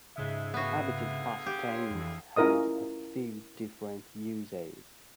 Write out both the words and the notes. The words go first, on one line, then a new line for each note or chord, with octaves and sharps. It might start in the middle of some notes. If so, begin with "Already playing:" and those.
The habitual past tense has a few different uses.
F2 G#2 C#3 G#3 E5
D3 B3 F#4 G#4 F5
G4
C#5 C6 C7
F2 E3
C#4 E4 F4 A#4 D#5 D#6